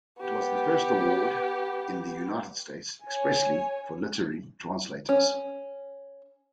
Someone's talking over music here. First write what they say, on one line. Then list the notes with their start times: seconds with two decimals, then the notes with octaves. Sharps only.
It was the first award in the United States expressly for literary translators.
0.21 B3 G4
3.05 C#5 G#5
5.09 C#4